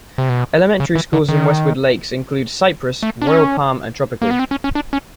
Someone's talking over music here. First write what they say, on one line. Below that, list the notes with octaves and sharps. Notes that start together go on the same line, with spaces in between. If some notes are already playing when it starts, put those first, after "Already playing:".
Elementary schools in Westwood Lakes include Cypress, Royal Palm, and Tropical.
C3
B2
C#3
E3
D3
D#3
A3
D4
C#4
A#3
B3
C4
C#4
C#4
D4
C#4